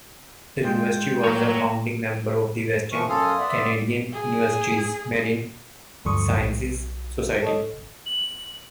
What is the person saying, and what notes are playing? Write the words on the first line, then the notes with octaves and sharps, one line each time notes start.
The university was a founding member of the Western Canadian Universities Marine Sciences Society.
G#3 F4 G5
A2 A#3 C#5 A#5
E3 F3 A3 A#4 C#6
F#2 C#4 A4 F5 G#5 C6 D#6
B3 D5 E5
G#4
D2 G2 F3 C#6 D#6
B1
A4 C#5 D#5
F#7